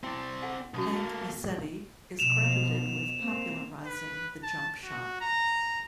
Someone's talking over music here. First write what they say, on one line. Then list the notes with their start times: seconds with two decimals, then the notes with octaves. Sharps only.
Hank Luisetti is credited with popularizing the jump shot.
0.03 C4 E4 D5 G5 C6
0.42 A4 F#5 G#5
0.74 B1 F#2 F#4 A5 D#6
0.92 A3 A#3
2.19 B2 F3 E7 F7
3.19 A#3 C4
3.86 B4
4.43 A5
4.84 F#4
5.21 A#5